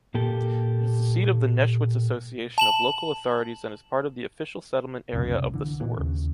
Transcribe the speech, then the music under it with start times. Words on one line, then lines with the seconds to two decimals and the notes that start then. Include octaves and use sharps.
It is the seat of the Neschwitz association of local authorities and is part of the official settlement area of the Sorbs.
0.14 A#2 A#3 G4 A4
2.58 A5 E7 F#7
5.13 C2 F2 C#3 A#3
5.34 C2
5.54 D3 E3
5.80 A#2 E3
5.98 D#2 C#3